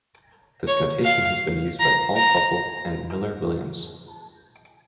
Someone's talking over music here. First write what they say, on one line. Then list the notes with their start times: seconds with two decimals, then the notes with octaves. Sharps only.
This notation has been used by Paul Fussell and Miller Williams.
0.67 C#5
1.05 F5
1.79 A#5
2.16 A#5